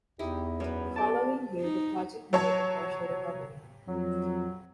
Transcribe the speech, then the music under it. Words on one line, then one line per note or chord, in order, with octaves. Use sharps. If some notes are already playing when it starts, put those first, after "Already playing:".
The following year the project made a partial recovery.
E2 D#4 E4 G4
F#2 B3 B4 C#5
G4 D5 A5
D#4
F#3 C#5 A5
F2 F#3